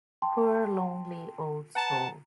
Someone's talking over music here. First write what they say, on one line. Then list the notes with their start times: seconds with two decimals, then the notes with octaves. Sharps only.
Poor, lonely old soul.
0.22 G5 A5 C6
1.76 B4 F#5 A5 A#5